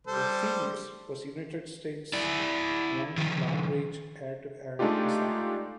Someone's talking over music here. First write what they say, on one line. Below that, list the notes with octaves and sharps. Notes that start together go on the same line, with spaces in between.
The Phoenix was the United States' only long-range air-to-air missile.
G3 A4 C5
E4 D5
D#3 F3
G#3 A3 D4 D#4 F4 G4